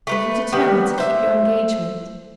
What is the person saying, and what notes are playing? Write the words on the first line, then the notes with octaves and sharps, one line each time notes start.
"Are you determined to keep your engagement?"
A3 A#4 B4
D#3 G3 B3
C5 E5